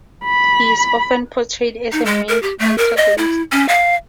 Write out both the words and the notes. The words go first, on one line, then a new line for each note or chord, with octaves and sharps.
He is often portrayed as the main antagonist.
B5
D#4
G#3
A#4
G4
A3
A#4
D#5
E4
C#4
F5